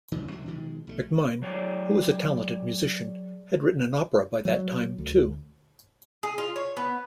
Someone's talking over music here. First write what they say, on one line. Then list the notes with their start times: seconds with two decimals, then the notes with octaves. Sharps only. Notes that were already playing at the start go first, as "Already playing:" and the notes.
McMein, who was a talented musician, had written an opera by that time, too.
0.12 E2 C#3
0.31 D2 B2 F#3 D4
0.46 B2 D#3 F3 G#3
0.87 B1 F#3 A3
1.42 F#3 G#4 C#5 D5
4.45 F#3
4.98 D2
6.23 G#4
6.38 F4
6.56 C#5
6.77 B3